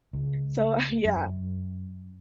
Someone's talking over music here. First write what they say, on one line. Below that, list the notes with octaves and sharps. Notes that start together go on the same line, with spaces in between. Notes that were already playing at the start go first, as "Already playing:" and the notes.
So, uh, yeah,
C#2
F#2